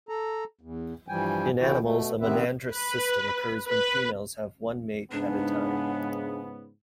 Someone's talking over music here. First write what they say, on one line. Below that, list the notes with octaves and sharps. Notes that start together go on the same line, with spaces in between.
In animals, a monandrous system occurs when females have one mate at a time.
A4 A#5
E2
G2 E3 F3 G3 G5 G#5
B2 D3 E3 E4 F#4 G5
B2 A3
C3 D#3 B3 C4 B4 E5
B4
B4
G#2 C#3 B3 D4